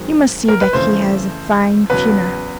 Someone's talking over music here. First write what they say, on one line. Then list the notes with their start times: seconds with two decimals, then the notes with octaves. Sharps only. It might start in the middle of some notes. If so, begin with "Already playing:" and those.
You must see that he has a fine funeral.'
Already playing: F#2 D#3 G#3 C4
0.48 A#4
0.61 B4
0.73 F2 C#3 E3 A3 C5
1.90 E2 C#3 F#3 B4